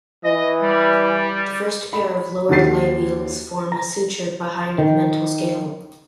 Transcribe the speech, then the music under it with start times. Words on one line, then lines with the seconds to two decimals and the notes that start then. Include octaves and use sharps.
The first pair of lower labials form a suture behind the mental scale.
0.24 E3 D#5
0.62 G3
1.93 B5
2.49 D#2 D#3 F#4 A6 C7
3.72 A#5
4.78 D#3